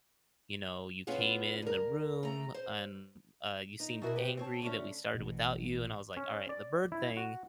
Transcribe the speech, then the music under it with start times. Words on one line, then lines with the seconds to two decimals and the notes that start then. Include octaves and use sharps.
you know, you came in the room and, uh, you seemed angry that we started without you," and I was, like, "Alright, the bird thing,
1.07 B3 C#4 F4 G#4 B4
1.62 D2 A#4
2.23 A3 A#5
2.54 C5
3.80 D#4
4.02 B2 E4 F#4 A#4
4.16 G4 B4 C5 G5
4.37 C4 C#5 A5
4.62 D3 A3 C#4
5.15 A1 B2
6.17 C#4
6.49 D5
6.92 E4
7.17 F#4